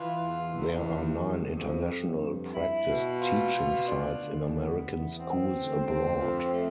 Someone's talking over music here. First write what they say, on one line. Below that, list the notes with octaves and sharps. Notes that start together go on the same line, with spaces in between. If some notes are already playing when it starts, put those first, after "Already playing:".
There are nine international practice teaching sites in American schools abroad.
Already playing: E3 F4
E2
E2
G2
G2
F2
F2
G2
E4
B2
F4
B2
D4
D2
B3
E2
C4
D2
C4
F2
A3